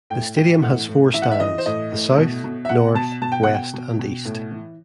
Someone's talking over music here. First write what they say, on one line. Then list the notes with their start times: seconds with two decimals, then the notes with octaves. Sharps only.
The stadium has four stands: the south, north, west and east.
0.10 A2 G5
0.36 E3 G5
0.62 A2 F#5
0.89 A2
1.14 E3 E5
1.22 F#5
1.31 E5
1.40 E3 D#5
1.58 C5
1.66 A2 D#5
1.92 A2
2.18 B2
2.44 B2
2.65 E5
2.69 B2 F#5
2.95 B2 A5
3.22 B2 A5
3.32 G5
3.43 B2 F#5
3.54 G5
3.73 B2
3.99 B2
4.25 A2
4.51 E3